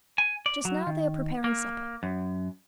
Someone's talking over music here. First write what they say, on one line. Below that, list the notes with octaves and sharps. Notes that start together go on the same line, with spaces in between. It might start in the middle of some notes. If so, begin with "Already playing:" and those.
Just now they are preparing supper.'
G#5
D5
F#3
D#3
A#3
F#2